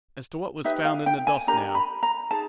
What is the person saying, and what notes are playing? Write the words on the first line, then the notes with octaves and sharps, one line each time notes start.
'As to what was found in the dust now.
D#4 G4 B4 E5
F5
G5
G#5
D4 G4 A#4 A#5
B5
A#5
D#4 G#4 A5